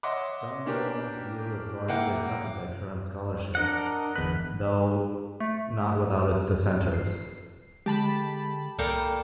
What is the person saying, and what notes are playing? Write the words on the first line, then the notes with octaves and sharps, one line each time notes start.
Dumville's view is largely accepted by current scholarship, though not without its dissenters.
C#5 D#5 E5 F#5 C6 D6
A#3 C#4 D4 G4 A#4
C3 A#3 E4 F#5 G5 G6
D4 A#4 D#5 F#5
G1 E2 B3 B4 F#6
A3
C7
D3 G#3 G4 A5 B5
C2 G3 A#3 A4 G5